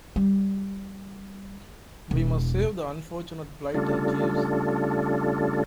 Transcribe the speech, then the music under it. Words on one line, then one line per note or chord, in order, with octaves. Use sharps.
We must save the unfortunate blighter, Jeeves.
G3
E1
C#3 G3 A3 D4 F4 A4